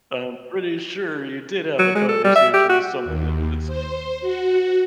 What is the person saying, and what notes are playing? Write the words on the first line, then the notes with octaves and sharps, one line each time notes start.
I'm pretty sure you did have a conversation with someone that fits
F#3
G#3
A4
G3
E5
G4
F#4
D#2
C5
F#4